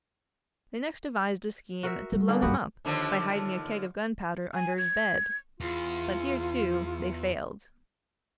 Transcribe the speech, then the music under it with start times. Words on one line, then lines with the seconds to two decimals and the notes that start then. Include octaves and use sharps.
They next devised a scheme to blow him up by hiding a keg of gunpowder under his bed; but here, too, they failed.
1.83 F#4 A#4 E5
2.12 G3
2.28 D3 A#3 C#4
2.42 G2 B3 C#4 F#4 G4
2.85 D#2 D3 F3
4.54 G#5
4.78 G#6
5.60 E2 F4